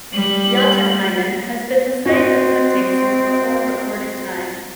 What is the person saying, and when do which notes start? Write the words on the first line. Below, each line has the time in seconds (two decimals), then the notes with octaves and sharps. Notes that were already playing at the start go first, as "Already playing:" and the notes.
Jotunheimen has been the site of hunting since before recorded time.
0.13 G3 F#7
2.06 C4 F#4 D#5